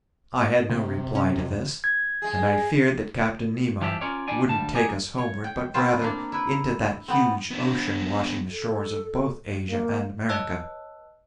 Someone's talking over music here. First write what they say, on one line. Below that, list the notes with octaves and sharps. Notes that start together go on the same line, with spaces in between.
I had no reply to this, and I feared that Captain Nemo wouldn't take us homeward but rather into that huge ocean washing the shores of both Asia and America.
C3
C#4
F2
G#6
G#3 G#4
E3 F3 D4 G4 E5
C#4 F4 A#4 C#5 D5
G3 D4 D5 G#5
D2 G2 G3 A5
D#4 G4 G#4 G#5
C#5
G5
A#3 C4 E4 F4 C5 A5
A#3 D4
E4 B4
B3 C4
B3 D4
A4
A#3
B4 C#5 D#5 A5 E6 F#6